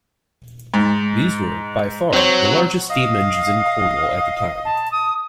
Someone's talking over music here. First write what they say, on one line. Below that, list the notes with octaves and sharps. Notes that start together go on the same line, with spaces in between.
These were by far the largest steam engines in Cornwall at the time.
G#2
F#3 C4 C#5
D#5 F5
A5
D#6